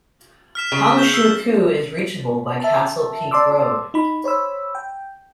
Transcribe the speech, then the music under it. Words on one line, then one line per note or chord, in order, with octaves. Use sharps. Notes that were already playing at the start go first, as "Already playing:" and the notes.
Hung Shui Kiu is reachable by Castle Peak Road.
F6 B6 E7
C#3
G6 E7 G7
E6
E5 A5
D5 A5 C6 D6 E6
D#4 B5
C5 C#5 B5 E6
G5